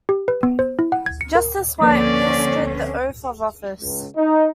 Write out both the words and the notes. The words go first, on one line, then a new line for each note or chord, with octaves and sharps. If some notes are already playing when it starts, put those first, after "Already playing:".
Justice White administered the oath of office.
G4
B4
B3
C5
E4
F#5
G#6
C#7
A#4
D3 F3 A#3 C4 C#4 B4 D5
C#2
D#4